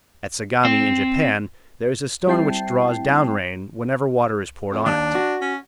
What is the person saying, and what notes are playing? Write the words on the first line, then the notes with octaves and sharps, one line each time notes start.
At Sagami in Japan there is a stone which draws down rain whenever water is poured on it.
C4
G3 C4 E4 G5 A5 C7
F2
D#2 D4
F#4
C#4